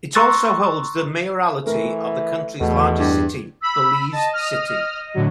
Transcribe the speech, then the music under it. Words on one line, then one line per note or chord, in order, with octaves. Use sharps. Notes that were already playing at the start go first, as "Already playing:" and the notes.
It also holds the mayoralty of the country's largest city, Belize City.
A#5 C6 C#6 E6 F#6 A6
E3 A3 A#4
E2 B2 A3
G2
B5 E6
D#5 A5
D#6 F6
A2 D3 F#3